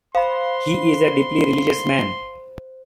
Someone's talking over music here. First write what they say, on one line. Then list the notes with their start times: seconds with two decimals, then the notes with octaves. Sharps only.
He is a deeply religious man.
0.15 C5 F5 B5 C6